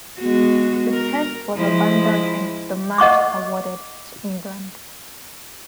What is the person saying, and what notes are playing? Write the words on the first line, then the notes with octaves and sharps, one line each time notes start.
The Test was abandoned and the match awarded to England.
G#3 B3 F#4
A#4
F3 G#3 E4
D#5 F#5 C#6 D6